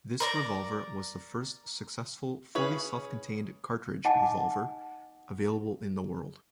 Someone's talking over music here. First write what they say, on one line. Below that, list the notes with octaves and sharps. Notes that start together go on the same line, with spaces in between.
This revolver was the first successful fully self-contained cartridge revolver available in the world.
A#4 D5 A#5
C#4 G#4 B4
D#4 D#5 F#5 G#5 A5 D6